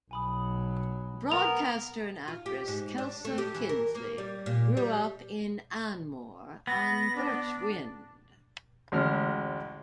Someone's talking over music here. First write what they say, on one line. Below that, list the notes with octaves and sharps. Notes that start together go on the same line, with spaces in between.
Broadcaster and actress Kelsa Kinsly grew up in Anmore on Birch Wynd.
B1 F#3 G#5 B5 D#6
B3 A#4 F7
F4
G4
G#2
D4
A3
G4
E3
A#4
A#3
G3
A#2
G3
B3 A#6
D4
A1 D2 G#3 C#4 F6